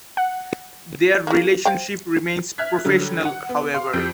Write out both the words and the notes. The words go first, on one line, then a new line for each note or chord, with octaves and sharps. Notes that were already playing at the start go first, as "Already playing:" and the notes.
Their relationship remains professional, however.
F#5
C#3 A#3
C5 F5 G5
E5 F6 F#6 G#6 B6
D3 F#3 G3
F#5
B3
F5 C6
F2 F3 G4 G6 D7